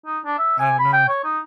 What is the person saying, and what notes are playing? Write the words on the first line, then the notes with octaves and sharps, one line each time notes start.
Oh no.
D#4
D4
E5
G#5
B5
G5
C#5
D#4